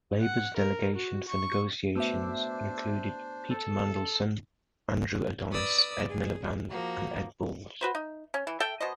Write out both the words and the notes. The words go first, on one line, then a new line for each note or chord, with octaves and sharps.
Labour's delegation for negotiations included Peter Mandelson, Andrew Adonis, Ed Miliband, and Ed Balls.
F#5
A#4
F#4
C#6
A3 B3 D4 F#4 C5 E5 D6 E6
A4 A5
B4 D5 D#6 E6
G#4
F3 A#3 F#4
F#4 B4 C5
D#4
C#4
E3
A4 E5 G5
B2 C5 D#5